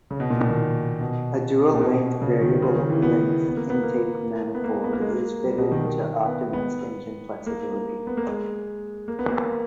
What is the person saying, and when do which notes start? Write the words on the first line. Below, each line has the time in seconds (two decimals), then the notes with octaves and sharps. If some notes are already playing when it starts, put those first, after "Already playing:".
A dual-length Variable Length Intake Manifold is fitted to optimise engine flexibility.
0.11 C#3
0.20 B2
0.30 A#2
0.41 A#2
0.50 D#3
1.01 B2
1.74 A#2
1.82 B2
2.22 C#3
2.42 D#3
2.62 C#3
2.76 D#3
2.89 E3
3.02 B3
3.48 B3
3.57 A#3
3.70 B3
3.83 A#3
4.55 B3
4.64 A#3
4.84 B3
4.93 A#3
5.01 G#3
5.10 A#3
5.45 G3
5.58 B2
5.72 D#3
5.85 D#3
6.26 B3
6.53 B3
7.46 A#3
8.07 B3
8.17 A#3
8.27 G#3
9.08 A#3
9.19 B3
9.28 A#3